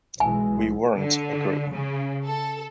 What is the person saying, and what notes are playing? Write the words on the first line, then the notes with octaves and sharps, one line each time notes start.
We weren't a group.
B1 E3 G#3 G#5
D3
C#3
A4